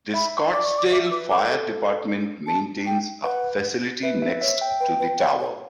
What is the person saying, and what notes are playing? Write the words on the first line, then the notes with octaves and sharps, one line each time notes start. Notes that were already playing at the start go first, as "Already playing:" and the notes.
The Scottsdale Fire Department maintains a facility next to the tower.
E5 B5
D5 D6
C#6
D6
E5 D6
E6
B4 D6
A4 D6
A4
A5
G5
B4 F#5
B4 E5
E5
C#5 E5
G5
B4 G5
B4
C#5
C#5